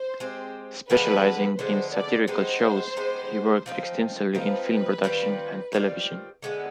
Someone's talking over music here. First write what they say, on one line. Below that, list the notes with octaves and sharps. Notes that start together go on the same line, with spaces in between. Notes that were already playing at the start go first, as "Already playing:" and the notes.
Specialising in satirical shows, he worked extensively in film production and television.
Already playing: C5
G#3 C4 G4
D3 F3 G#3 B3 B4
D3 F3 G#3 B3 C5
D5
G#3 B3 D#4 G4 C5
G#3 B3 D#4 G4
F3 C4 D#4
F3 C4 D#4 B4
D#3 G3 C4 F4
D#3 G3 C4 F4
D3 G#3 B3